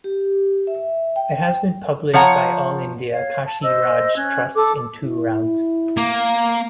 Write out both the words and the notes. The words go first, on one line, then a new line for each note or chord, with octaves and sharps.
It has been published by All India Kashiraj Trust in two rounds.
G4
E5
G5
F3 C#5 F#5 A#5
C#5 F5
A5
C5 D#5 E6
C#4 F#6 G#6
A4 D6
E4
A#3